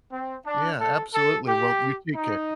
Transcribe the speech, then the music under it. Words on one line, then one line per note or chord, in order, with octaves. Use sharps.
Yeah, absolutely, well, you take care.
C4
D4
A4
A4
G4
D#4